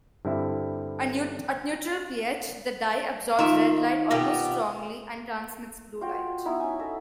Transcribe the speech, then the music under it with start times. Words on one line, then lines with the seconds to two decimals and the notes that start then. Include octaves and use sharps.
At neutral pH, the dye absorbs red light most strongly and transmits blue light.
0.25 G2 D3 C4 E4 E5
3.39 D#3 D#4 F4 E5
4.11 B2 B3 G4
6.01 F4 F#4 G5
6.45 B3 D#4 E4
6.60 C#4 G#5
6.79 A4 D#5 E5